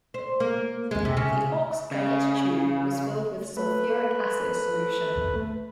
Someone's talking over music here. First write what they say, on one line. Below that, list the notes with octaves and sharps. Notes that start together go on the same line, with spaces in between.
The ox-gullet tube was filled with sulfuric acid solution.
C5
A#3
G#3
C3
C#3
C#3
A3 B4